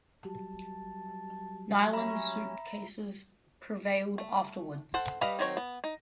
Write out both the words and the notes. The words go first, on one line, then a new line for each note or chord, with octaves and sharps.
Nylon suitcases prevailed afterwards.
F#3 G3 A5
C#4 E5 A#5 B5
A3
A4 C5 F#5
G3 B4 D#5 F5 B5
D#3 F#3 C4 C#5
B3
D#4